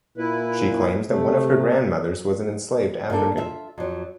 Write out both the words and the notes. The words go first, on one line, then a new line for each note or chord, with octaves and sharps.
She claims that one of her grandmothers was an enslaved African.
A#2 E4 B4
C3 A3
G2 A#3 D4 A4
F4 E5
F2 F#3